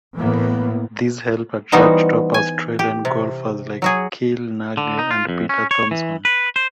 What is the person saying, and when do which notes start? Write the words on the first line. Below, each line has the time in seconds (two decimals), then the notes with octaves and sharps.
This helped attract top Australian golfers like Kel Nagle and Peter Thomson.
0.16 A2 E3 A#3 B3
1.72 E3 G3 B3 D#4 F#4 C5
2.34 G#5
2.79 G4
3.05 C3
3.82 F#3 F#4 G#4
4.77 D3
4.99 D#4
5.11 F4
5.29 F2
5.49 C#4
5.71 C#5
5.91 E3
6.25 B4
6.56 C5